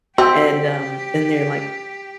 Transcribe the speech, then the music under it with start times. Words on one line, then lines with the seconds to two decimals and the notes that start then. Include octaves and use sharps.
and, um, then they're like
0.18 C4 F#4 G4 E5 G5